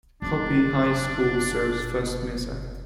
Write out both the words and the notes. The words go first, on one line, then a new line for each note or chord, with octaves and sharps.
Hopi High School serves First Mesa.
F#1 D4